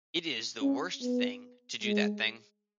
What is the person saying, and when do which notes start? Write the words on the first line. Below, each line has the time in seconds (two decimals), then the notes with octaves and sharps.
It is the worst thing to do that thing.
0.61 C#4
1.02 B3
1.84 G#3